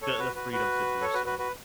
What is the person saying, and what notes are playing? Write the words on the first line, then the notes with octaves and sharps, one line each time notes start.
the the freedom to do so.
A4 C#5
F#4 B4
F#4 B4
F#4 B4
A4 C#5
F#4 B4
F#4 B4
F#4 B4